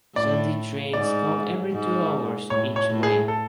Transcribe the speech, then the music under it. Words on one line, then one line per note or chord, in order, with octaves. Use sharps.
Sunday trains call every two hours each way.
A2 D5
G#2 D5
G#2
A2 C#5
C#5
A2
G#4
A4